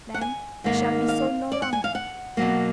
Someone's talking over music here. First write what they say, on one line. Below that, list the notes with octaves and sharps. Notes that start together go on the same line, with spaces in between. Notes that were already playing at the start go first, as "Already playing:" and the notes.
'Then it shall be so no longer!
F#5
G#5
G#2 D#3 A#3
F5
D5
F#5
G#5
F5
F#5
B2 F#3 A#3